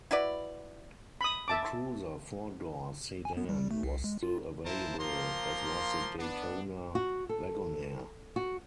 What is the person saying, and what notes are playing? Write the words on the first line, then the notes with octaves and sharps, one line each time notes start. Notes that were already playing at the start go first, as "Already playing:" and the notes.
The Cruiser four-door sedan was still available, as was the Daytona Wagonaire.
E4 F#4 B4 D5
B5 D#6
E5 A5 D6
G#5
B3
G3
A3
C2
G#3
F4
F3 E4 A#4 C5 A5
F3 A#3 A#5 C6
B3 D4
F#4
A4
F#4